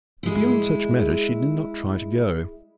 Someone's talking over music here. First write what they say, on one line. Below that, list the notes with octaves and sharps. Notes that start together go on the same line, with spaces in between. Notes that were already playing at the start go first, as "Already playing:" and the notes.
But beyond such matters she did not try to go.
G#3 E4